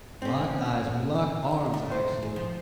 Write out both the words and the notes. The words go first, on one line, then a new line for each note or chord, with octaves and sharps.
lock eyes, we lock arms, actually,
C4 C#4
A2
C5
G#4
F3